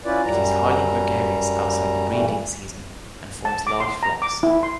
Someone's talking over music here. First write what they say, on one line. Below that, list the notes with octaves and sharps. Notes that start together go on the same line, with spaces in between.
It is highly gregarious outside the breeding season and forms large flocks.
C#4 E4 F4 B4 D5
F#2 G3 A#5
G2 A#2 E3 G3 A3
A5
D6
C6
A#5
D6
E4
C6